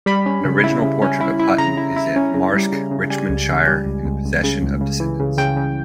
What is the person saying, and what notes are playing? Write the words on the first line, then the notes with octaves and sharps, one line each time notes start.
An original portrait of Hutton is at Marske, Richmondshire, in the possession of descendants.
G3 B5
C#4
C#3
E4
C#3
C#4
E4
E4
C#3 A#5
E4
E4
C#4
C#3
G3
C#3
C#3
G3 G#5
C#2
C#3
G3
C#2
C#2
C#2
C#3
C#2
C#3
E3
C#3
C#3 G5
C#3